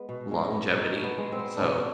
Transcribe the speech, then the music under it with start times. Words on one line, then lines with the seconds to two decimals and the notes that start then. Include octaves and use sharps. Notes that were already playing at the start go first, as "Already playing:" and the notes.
longevity. So,
Already playing: G#3 B3
0.09 B2
0.31 G#3
0.53 B3
0.74 B2 D#4
0.96 B2
1.03 B3
1.18 G#3
1.32 C4
1.39 B3
1.56 B2 C#4 D4